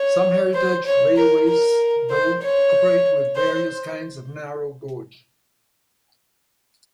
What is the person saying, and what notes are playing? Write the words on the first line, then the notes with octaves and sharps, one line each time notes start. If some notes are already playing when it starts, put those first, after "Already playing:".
Some heritage railways, though, operate with various kinds of narrow gauge.
Already playing: C#5
C5
C#5
A#4
A#4
C5
C#5
C5